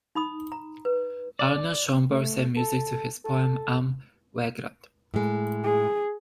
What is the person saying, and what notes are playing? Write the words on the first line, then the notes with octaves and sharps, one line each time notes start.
Arnold Schoenberg set music to his poem Am Wegrand.
D#4 B5 D#6
A#5
B4
D5
A3
A4
A4
A2 G#3
G#4